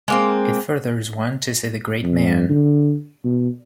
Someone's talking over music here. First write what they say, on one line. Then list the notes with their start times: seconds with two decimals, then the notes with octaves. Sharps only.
It furthers one to see the great man.
0.08 G#3 A#3 C4
2.03 F2
2.49 D3
3.25 B2